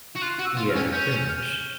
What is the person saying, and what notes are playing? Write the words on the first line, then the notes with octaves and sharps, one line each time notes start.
Yeah, pretty much.
F#4
F4 F#6
F#4
E6
F4
F6
C#4
C#4 G6
F6